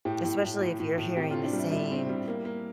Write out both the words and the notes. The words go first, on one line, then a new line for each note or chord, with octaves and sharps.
Especially if you're hearing the same,
A2 G4
A2
A2
A2
A2
A2
C3 G4
C4 F4
D4
G3
E4
G3 E4
C4
G3
A#3
A#3